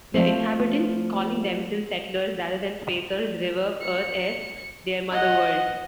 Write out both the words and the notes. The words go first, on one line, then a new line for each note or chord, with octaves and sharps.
Their inhabitants, calling themselves "Settlers" rather than "Spacers", revere Earth as their mother-world.
F3 A3 C4
C#7
D#5 F#5